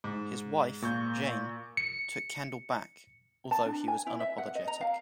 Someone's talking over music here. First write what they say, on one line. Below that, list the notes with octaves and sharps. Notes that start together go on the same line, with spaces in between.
His wife, Jane, took Kendall back, although he was unapologetic.
G#2
A#2 C#6 G6
C#7
A5
D4
G#5
E4
E5
F#5
D#5
A#5
F5